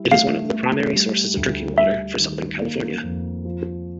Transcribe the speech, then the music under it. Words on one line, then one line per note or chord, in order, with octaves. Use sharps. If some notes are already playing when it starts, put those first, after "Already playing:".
It is one of the primary sources of drinking water for Southern California.
Already playing: G3 E4
A3 F5
A3
G3
D2
G3 E5
D#3
A#3
F2
F3